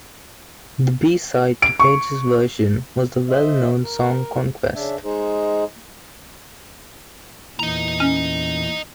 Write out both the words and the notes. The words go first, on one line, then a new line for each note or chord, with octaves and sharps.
The b-side to Page's version was the well-known song Conquest.
D7
C#6
C5 D#5 E5
A#4
C#3 D4 E5
G#3 D#4 G#4 C5
E2 A#2 E3 D#5 A#5
C#4